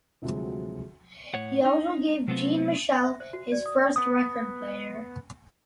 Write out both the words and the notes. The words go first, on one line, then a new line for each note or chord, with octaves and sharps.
He also gave Jean-Michel his first record player.
D2 C3 F3 F#3 G#3
A2 C#5 F#5
D4 D#4
C3 F#3 A3 B3 C4 F4
E5
C5
F#4
D5
D#6
G5
B3 D#6